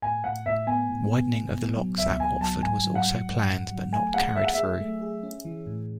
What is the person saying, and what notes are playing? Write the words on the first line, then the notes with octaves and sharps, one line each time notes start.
Widening of the locks at Watford was also planned, but not carried through.
A2 G#5
A2 F#5
A2 E5
B3 G#5
A2
B3
B2
B2
F#3
C#2 E5
C#2 G#5
F#3 A5
G#2 G#5
F#3
F#5
F#3
G#2
G#2
F#3
A3 G#5
G#4 F#5
G#4 E5
F#5
G#4 E5
A3
G#4
C#4
E3
A2